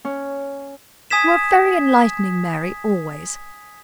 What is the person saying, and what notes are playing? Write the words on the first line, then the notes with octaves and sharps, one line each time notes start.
You are very enlightening, Mary, always.
C#4
G#5 D#6 G#6 B6 E7